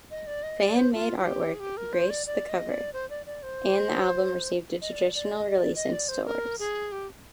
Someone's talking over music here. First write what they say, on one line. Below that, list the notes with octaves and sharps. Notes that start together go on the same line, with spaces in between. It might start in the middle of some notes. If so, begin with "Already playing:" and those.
Fan-made artwork graced the cover, and the album received a traditional release in stores.
D#5
D5
D#5
D5
C5
F4
F4
G4
G#4
G4
A#4
C5
D5
D5
D#5
D5
C5
D5
D5
C5
D#5
D5
D5
D#5
D5
D#5
D5
C5
A#4
G#4
G4